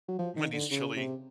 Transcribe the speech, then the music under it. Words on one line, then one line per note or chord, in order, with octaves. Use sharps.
Wendy's chili,
F#3
F3
D#3
D3
C#3
C3